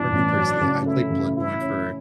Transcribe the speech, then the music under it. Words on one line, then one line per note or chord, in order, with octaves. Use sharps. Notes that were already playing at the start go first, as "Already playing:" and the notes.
for me, personally, I played Bloodborne for
Already playing: G2 E3 B3 D4
A1
F#3
C#3
A3 E4
C#3
E3 E4
C#4